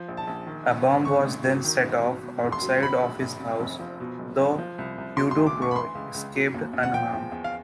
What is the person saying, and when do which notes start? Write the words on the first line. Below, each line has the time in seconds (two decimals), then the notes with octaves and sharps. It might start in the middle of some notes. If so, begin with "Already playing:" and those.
A bomb was then set off outside of his house, though Huidobro escaped unharmed.
Already playing: F3
0.08 A#1
0.17 A5
0.27 A#1
0.47 D#3
0.67 G#1
0.86 G#1
1.05 D3 C#6
1.25 A1
1.45 F#3
1.65 D#3
1.84 G#1
2.03 F#3
2.23 B2
2.43 E1
2.52 C6
2.62 F#3
2.82 F#3 B5
3.02 A#1
3.22 A#1
3.40 C3
3.60 F1
3.79 F3
4.00 B2
4.19 F#1
4.39 F#1
4.58 F3
4.78 C2
4.98 C2
5.17 F#3 C6
5.31 C6
5.37 D2
5.47 D6
5.57 D2 C#6
5.71 B5
5.76 E3 C6
5.95 C#2
6.14 C#2
6.35 F#3
6.54 D#2
6.73 D#2
6.83 F#5
6.93 F3 G5
7.13 E2
7.32 E2
7.44 F5